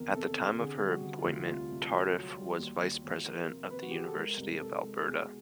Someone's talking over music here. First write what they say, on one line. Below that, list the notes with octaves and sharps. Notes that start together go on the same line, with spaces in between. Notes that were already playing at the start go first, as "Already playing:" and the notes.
At the time of her appointment, Tardif was vice-president of the University of Alberta.
Already playing: E2 C3 D#3 A#4
C3 A4
C3
D3 G#4
G3
F#4
D3
F4
D2
C2 F4
C2
F#3
F#3
G3
D#2
D#2
D#2
F3 A#4
C3
C3 B4
F#4
F3 G4
G#4
A4
G#3 A#4
C2
C2 A4
G#3
B2 G#4